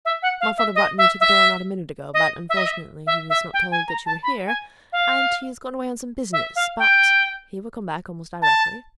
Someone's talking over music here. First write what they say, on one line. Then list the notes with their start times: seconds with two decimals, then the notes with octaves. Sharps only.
My father brought me to the door, not a minute ago, but unfortunately he was not told that you were here, and he has gone away on some business. But he will come back almost directly.
0.05 E5
0.22 F#5
0.40 F5
0.58 E5
0.75 D#5
0.98 E5
1.21 E5
2.14 D#5
2.49 E5
2.57 D#5
2.66 E5
3.07 E5
3.30 E5
3.53 G5
3.71 G#5
3.88 A#5
4.06 A5
4.23 B5
4.47 G#5
4.92 F5
6.33 E5
6.56 F5
6.79 G5
8.42 A5